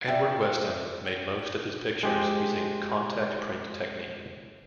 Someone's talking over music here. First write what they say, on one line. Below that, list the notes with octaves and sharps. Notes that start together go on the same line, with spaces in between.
Edward Weston made most of his pictures using contact print technique.
D5 E5 G5
G#3 G4 C5